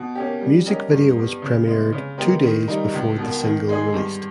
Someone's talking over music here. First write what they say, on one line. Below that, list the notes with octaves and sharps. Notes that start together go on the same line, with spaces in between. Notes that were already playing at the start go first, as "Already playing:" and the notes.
Music video was premiered two days before the single released.
Already playing: B2
A#3 C#4 G4
G3
C#4 G4 A#4 D#5
G2
G3 B3
C#3
G#3 B3
C#3
G#3 B3 G4 A#4
D#3
G3 A#3 D#4 A#4
C#2
B2 A#3
D#3
G#3 D#4 G#4
G2